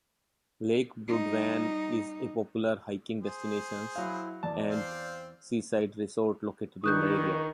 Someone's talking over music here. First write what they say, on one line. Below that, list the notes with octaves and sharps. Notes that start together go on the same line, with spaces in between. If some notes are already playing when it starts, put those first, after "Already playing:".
Lake Burudvann is a popular hiking destinations and seaside resort located in the area.
G3 D#4
G#4 C5
F#3 E4 F5
E2 D5 A5
C4 C5 F5
C#2 D#3 D4 E4 C#6 D#6 F#6 G6